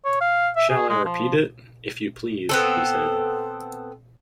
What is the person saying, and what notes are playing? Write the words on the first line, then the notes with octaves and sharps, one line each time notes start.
'Shall I repeat it?’ ‘If you please,’ he said.
C#5
F5
E5
G#4
G#3
F3
B3 C4 A4